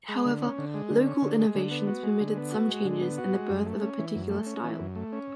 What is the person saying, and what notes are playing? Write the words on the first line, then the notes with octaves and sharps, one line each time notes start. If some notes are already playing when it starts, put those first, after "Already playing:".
However, local innovations permitted some changes and the birth of a particular style.
G#3
D3
C#4
D3
G#3
D3
C#4
D3
G#3
D3
B3
F#4
G#3
D3
B3
F#4
G#3
D3
B3
F#4
G#3
F#2
A3
C#4
E3
F#2
A3
C#4
E3
F#2
A3
C#4